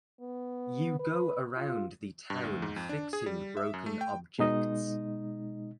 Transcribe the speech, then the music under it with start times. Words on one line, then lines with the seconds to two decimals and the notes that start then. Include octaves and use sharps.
You go around the town fixing broken objects.
0.20 B3
1.00 B4
1.57 F4
2.30 G2
2.44 D2
2.62 G#2
2.76 F2
2.89 D4
3.13 G#4
3.26 G3
3.57 E5
3.74 F#2
3.86 A3
4.01 G5
4.39 B2 G#3 D#4 D#5